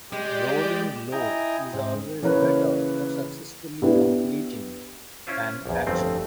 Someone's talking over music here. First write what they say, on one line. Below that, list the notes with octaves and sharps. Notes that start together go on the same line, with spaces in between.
Rolling low is always better for successfully completing an action.
G#3 G4 D5 G6
E4 D#5 G5 G#5 A#5
G#2 C4
C#3 E3 A#3 C#4 A#4 B4
B3 D4 E4 G4
C#4 E4 F4 C5
A#1 E2
G1 F2 A3 C4 F4